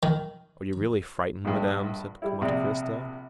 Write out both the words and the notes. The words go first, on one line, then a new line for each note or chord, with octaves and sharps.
"Are you really frightened, madame?" said Monte Cristo.
D#3
A#1 G2
G3 E4
A#1 C3 D5